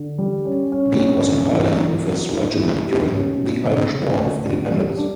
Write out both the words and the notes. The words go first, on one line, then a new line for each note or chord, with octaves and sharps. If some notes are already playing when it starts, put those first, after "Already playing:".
Beak was in Ireland with his regiment during the Irish War of Independence.
Already playing: D3
G3
C#4
C#4
C#4
D4
E3
D4
F#3
E4
E4
G4
C#4
B2
C#3
C#3
D2
D4
G3
D4